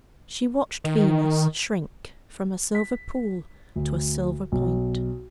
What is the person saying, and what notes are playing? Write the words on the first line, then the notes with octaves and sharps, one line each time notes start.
She watched Venus shrink from a silver pool to a silver point.
D#3
B6
D2
B1